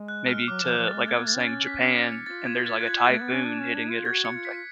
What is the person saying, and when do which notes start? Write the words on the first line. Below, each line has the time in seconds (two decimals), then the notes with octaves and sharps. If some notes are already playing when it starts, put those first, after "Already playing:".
maybe to like I was saying, Japan and there's, like, a typhoon hitting it or something.
Already playing: G#3
0.08 F#6
0.28 F6
0.43 F6
0.48 F#3 D6
0.63 F3 F#6
0.78 F3
0.88 A6
0.93 G#3
1.07 A3 G#6
1.17 B3
1.26 A3 A6
1.37 C#4
1.47 A6
1.67 B6
1.82 C#7
2.12 C#7
2.26 F4 A6
2.46 G#6
2.66 A6
2.73 G#6
2.81 F#6
2.87 G#6
3.09 A3
3.21 B3
3.33 C#4
3.45 D4
3.61 C#4
3.76 D4
3.90 F4
4.05 F#4 G#6
4.25 C#7
4.34 F4
4.45 B6